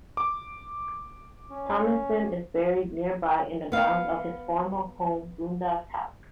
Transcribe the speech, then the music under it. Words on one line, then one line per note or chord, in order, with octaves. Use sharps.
Tomison is buried nearby in the grounds of his former home, Dundas House.
D6
C#4
B3 F5